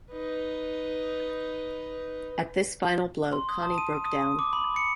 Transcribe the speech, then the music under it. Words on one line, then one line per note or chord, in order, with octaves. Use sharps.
At this final blow Connie broke down.
D#4 B4
C6
D#6
A5
D#7
D#6
D6
B5
C#7